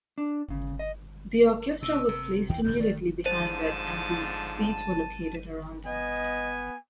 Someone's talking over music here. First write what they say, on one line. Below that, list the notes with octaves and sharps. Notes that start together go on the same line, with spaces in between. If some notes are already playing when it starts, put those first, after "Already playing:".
The orchestra was placed immediately behind it and the seats were located around it.
D4
C#3
D#5
B2 E6
C3
D#2 E3 G5
D1 A1 G2 G6
D#3 A3 D5
G#2 D3 F3 C5 A5 D#7
B3 D#5 G#5